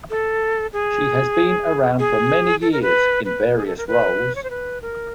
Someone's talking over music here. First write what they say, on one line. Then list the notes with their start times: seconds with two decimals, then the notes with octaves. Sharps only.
She has been around for many years in various roles.
0.10 A4
0.73 G#4
1.99 G#4
2.61 A4
2.72 A#4
2.82 B4
3.25 B4
3.56 G#4
3.66 A4
3.77 A#4
3.87 B4
4.35 C#5
4.43 C5
4.50 B4
4.82 A#4